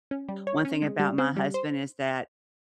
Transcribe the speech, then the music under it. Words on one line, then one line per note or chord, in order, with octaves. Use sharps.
one thing about my husband is that,
C#4
G3
C#5
C#4
G#3
G3
C4
G3
C5